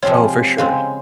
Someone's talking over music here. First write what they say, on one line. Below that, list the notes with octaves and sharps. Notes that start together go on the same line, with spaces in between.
Oh, for sure.
C3 F3 G#3 C4 F4 C#5
C#3 G#3 C4 F5